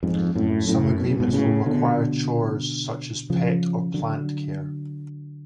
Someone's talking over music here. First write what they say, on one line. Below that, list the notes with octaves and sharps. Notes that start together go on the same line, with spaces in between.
Some agreements will require chores such as pet or plant care.
F2 G#2
F#2 A2
F#2 A2
B2
C#3
G#2 B2
A2 C#3
B2 D3
C#3 F3
D3 F#3